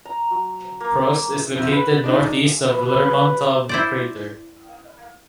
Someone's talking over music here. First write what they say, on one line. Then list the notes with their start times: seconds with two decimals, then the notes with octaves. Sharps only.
Proust is located northeast of Lermontov crater.
0.05 A#5
0.31 F#3
0.81 A#3
1.56 F2 C3
1.72 B4 B5
2.04 D4 D#4
2.67 B4
3.69 E4 C5 D5